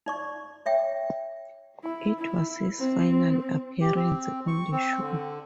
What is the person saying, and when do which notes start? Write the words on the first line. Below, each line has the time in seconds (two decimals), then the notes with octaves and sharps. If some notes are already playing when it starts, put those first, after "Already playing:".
It was his final appearance on the show.
0.06 D#4 D5 C#6
0.66 C#5 E5 G5
1.84 E4
2.18 E4
2.78 C4
3.81 G4
3.96 C4
4.48 C#6
4.72 C4
5.01 D3